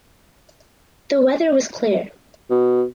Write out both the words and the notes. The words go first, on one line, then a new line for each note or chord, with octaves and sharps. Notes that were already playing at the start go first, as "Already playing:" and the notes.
The weather was clear.
B2